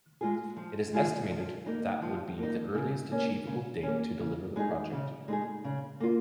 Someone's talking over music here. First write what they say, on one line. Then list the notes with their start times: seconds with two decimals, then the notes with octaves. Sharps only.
It is estimated that would be the earliest achievable date to deliver the project.
0.21 G#3 F4 G#4
0.57 F3
0.93 G#3 F4 G#4
1.30 F3
1.66 A#3 D#4
2.02 F3
2.38 A#3
2.43 D#4
2.75 C#3
3.11 A#3 C#4
3.47 C#3
3.83 A#3 C#4
4.19 C#3
4.56 G#3 D#4 G#4
4.93 C#3
5.28 G#3 D#4 G#4
5.64 C#3
6.00 A#3 F4